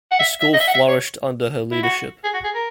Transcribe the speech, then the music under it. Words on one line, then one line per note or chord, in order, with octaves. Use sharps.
The school flourished under her leadership.
F#5
E5
E5
D#5
E5
F#5
E5
C#5
E4
F#4
G#4
F#4
G#4
A#4